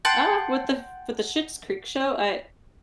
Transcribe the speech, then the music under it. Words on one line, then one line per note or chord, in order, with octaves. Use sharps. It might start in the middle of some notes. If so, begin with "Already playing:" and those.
Uh, with the f with the Schitt's Creek show, I
F#5 G5 A5 C6